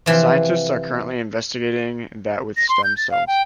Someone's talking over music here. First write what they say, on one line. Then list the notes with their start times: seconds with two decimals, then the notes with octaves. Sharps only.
The scientists are currently investigating that with stem cells.
0.06 C3 E3 F3
2.57 A#6
2.69 C6
2.84 G6
2.97 A6
3.11 F5
3.27 G5